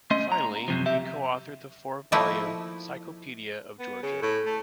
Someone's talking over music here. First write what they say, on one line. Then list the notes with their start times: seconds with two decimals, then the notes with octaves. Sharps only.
Finally, he co-authored the four-volume "Cyclopedia of Georgia".
0.11 A3 C#4 D#5 C6
0.32 A#5
0.68 F#2 C3 F3
0.86 C3 G4 E5
2.12 F3 A3 A#3 D#4 E4
3.79 B3
4.02 C#3
4.22 A2
4.46 A3